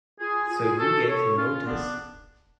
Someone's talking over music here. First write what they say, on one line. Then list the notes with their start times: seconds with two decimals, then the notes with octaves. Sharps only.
So you gave him notice?
0.20 F4 G#4
0.49 F4 G#4
0.78 F#4 A4
1.07 A4 C#5
1.36 C#4 F4
1.66 B3 D4